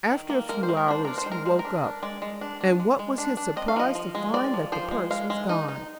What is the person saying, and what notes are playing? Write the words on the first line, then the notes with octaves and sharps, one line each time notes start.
After a few hours he woke up, and what was his surprise to find that the purse was gone!
D#3
A#3
G#3 A#4
C5
G#3
A#4
D4 C5
D4 A#4
C5
G#3
A#4
G#3 C5
A#4
D4
D4
G#3 D5
G#3
D4
D4
G#3
G#3
D4
D4
C4 D#5
F5
F3 D#5
F3
G#3
C4 D5
F3
F3 C5
G#3
G#3 F5
G#3
D#4
D#4